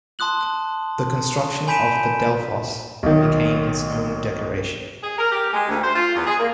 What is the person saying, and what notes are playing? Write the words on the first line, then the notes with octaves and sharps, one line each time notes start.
The construction of the Delphos became its own decoration.
A5 C6 D#6 F#6 F#7
G#5 B5 G6 B6 D7 E7
B1 D#3
G#4
A#4
G4
G#3
D2
C5
F4
E2
G#4
A#3